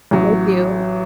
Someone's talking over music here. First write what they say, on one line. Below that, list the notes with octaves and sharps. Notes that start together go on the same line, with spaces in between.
I do.
A1 F#3